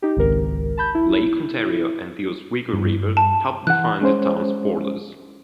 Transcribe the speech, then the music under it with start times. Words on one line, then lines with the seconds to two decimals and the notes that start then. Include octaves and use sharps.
Lake Ontario and the Oswego River help define the town's borders.
0.02 D#4 G4
0.17 G#1 C#2 A#4
0.77 A5 B5 G6
0.95 E4
2.73 G2
3.17 A5
3.67 E3 F#5 F#6
4.01 G#3 C#4 C5